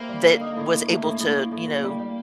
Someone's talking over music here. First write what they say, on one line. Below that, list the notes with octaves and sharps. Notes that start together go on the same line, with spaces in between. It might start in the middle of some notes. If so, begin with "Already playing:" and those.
that was able to, you know,
Already playing: A#3 C4 E4 G4
G3
D3
D#4
A2
A2
A3
A2
A2
A2
A2
F#3
G3
G3